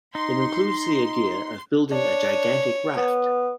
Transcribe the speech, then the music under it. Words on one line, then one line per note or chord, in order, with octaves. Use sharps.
It includes the idea of building a gigantic raft.
D#4 C6
D4 C#5
B3